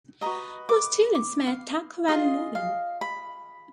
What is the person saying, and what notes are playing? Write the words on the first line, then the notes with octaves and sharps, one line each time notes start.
Most units may attack when moving.
F#4 B4 D#5 A#5
D6
D6
F5
F4 G#4 D#5 F5
F5
B5